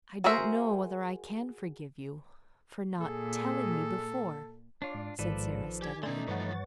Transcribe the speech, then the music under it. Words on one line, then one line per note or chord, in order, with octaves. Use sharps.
"I don't know whether I can forgive you for not telling me before," said Sara steadily.
F#4 G#4 A#4 C5 E5
A#2 G#4 A4
D4 F4 C#5 D5
G#2
A1 G#2 D#3 F3 A4 B4 D5
G4 G#5
B2 A3 C#4 D#4 D5 C6
G2 E3 F3 B4 C#5 F#5 A6